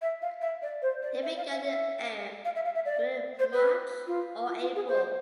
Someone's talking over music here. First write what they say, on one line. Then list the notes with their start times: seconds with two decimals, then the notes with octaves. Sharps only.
It began in Acre during March or April.
0.02 E5
0.22 F5
0.41 E5
0.62 D5
0.82 C5
1.03 D5
1.23 E5
1.37 F5
1.50 E5
1.64 E5
2.45 F5
2.55 E5
2.65 F5
2.75 E5
2.85 D5
3.39 C5
3.53 B4
4.07 F4
4.48 F4
4.61 F4
4.75 G#4
4.88 C5